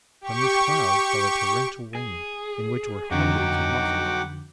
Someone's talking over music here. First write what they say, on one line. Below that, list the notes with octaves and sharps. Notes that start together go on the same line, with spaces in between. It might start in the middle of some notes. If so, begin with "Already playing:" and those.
From this cloud, fell a torrential rain, in which were hundreds of mussels.
G4 C#6
G#4
F2 D3 F#3 D#4 F#4 F#5 G5 D6